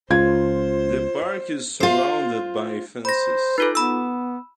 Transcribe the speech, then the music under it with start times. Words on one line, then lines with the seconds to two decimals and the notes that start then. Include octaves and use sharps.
The park is surrounded by fences.
0.10 C#2 F4 C5 G#6
1.80 F4 C5
3.05 C5 B5 A#6
3.58 D#4 F4 A4 B4
3.75 B3 B5 E6